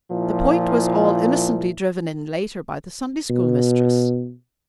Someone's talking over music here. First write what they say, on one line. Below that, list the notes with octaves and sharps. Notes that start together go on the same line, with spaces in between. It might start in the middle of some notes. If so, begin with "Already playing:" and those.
The point was all innocently driven in later by the Sunday-school mistress.
A#2 F3 E4
B2